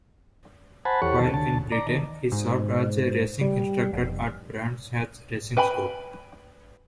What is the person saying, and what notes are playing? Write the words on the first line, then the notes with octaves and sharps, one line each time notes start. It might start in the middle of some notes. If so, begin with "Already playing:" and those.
While in Britain he served as a racing instructor at Brands Hatch racing school.
C5 F#5 G#5 A5 B5
E2 G4 A4 C#5 F#5 C#6
D#2 A5
D2 A5
D5 A#5
D#3
G#2
G3
F1
B4 G5 G#5 B5